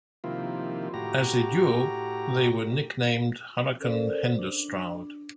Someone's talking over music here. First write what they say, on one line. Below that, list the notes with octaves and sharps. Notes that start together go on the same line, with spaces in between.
As a duo, they were nicknamed "Hurricane Henderstroud".
C3 D#3 F3 A#3 E4 F4
A2 F#4 G4 A#5
C#4 A4 A#4 C5 D5
D4